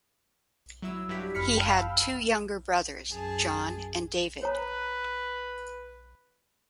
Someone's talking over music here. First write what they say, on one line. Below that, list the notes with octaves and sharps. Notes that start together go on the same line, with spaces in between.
He had two younger brothers, John and David.
F#3 E4 E6
G2 F#3 E4 G4 B6
G1 F#2 B5 F6 B6 C#7
F5 G5 A5 B5 E6 F6
F#2 G#4 A5
B4 C#5 A#5